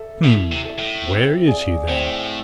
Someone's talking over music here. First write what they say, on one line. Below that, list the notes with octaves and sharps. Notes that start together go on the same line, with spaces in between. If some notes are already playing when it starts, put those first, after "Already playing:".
"Hm, where is he, then?"
Already playing: A4 E5
B2 E4
C3
A4 E5
A2
C4
G#4 D5 F5
A2 C4